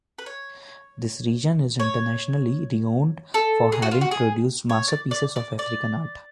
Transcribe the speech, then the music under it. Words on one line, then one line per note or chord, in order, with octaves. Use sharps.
This region is internationally renowned for having produced masterpieces of African art.
B4
C#5
C#5
A4
G#4
F#4
F4
F#4
G#4
C#5
D5
D5
D5
D5